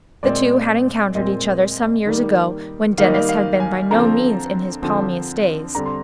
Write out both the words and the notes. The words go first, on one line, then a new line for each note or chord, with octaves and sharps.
The two had encountered each other some years ago, when Denis had been by no means in his palmiest days.
A#2 G#3 C4 D5
A#2 G#3 C4 D#5
D#3 G3 A#3
D#3 G3 A#3 F5
D#5
F5
F5
G#5
D3 F3 C4 A#5
D3 F3 C4
D3 G3 C4 A#5
C6